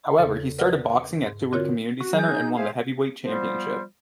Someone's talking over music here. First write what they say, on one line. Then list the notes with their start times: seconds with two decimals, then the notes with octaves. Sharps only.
However, he started boxing at Seward Community Center and won the heavyweight championship.
0.18 E2 C#3 A4
0.59 A#4 B4 D5 F#5 F6
1.26 G#2
1.52 D3 C4 F4 F#4 A#4 C#5
2.00 F#4
2.13 F#3 G#4 D#5 G6
2.29 D#4
2.57 G#4 C5 E5 F5
3.24 F3 G3 B3 C5